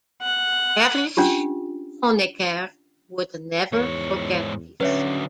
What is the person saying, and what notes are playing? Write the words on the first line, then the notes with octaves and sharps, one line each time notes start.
Erich Honecker would never forget this.
F#5
C#4 D4 F4 G4
E2 G#2 C#5
D3 F#3 C#4 B4 C#5 E5